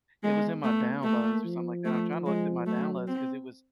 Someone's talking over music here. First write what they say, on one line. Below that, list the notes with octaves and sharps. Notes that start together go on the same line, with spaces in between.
It was in my downloads or something like that. I'm trying to look through my downloads, 'cause it was
G#3 B3
A3 B3
A3 A#3
F3
A3
G#3
F#3 A3
C4